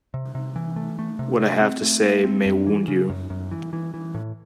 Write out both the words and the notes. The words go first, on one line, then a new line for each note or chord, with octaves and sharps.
What I have to say may wound you.
C3
C3
E3
A3
A3
C3
A3
C4
A3
A3
C4
F#2
E3
C#3
F#2
F#2
E3
E3
E3
A2